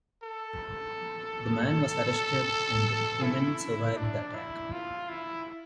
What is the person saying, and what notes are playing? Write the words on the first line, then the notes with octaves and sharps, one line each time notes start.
The man was arrested and the woman survived the attack.
A4
E4
D4
E4
F4
E4